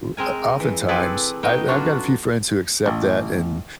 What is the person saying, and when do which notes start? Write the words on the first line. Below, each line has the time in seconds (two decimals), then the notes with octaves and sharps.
o o oftentimes, I've I've got a few friends who accept that and
0.17 G#3 C4 A#4 G#5
0.60 E3
0.89 C4 E4 G#4 A4 B4 D5
1.43 A2 B3 D#4 D#5 G5
1.68 F#3 C#4 D4 F4 F#4
2.86 A1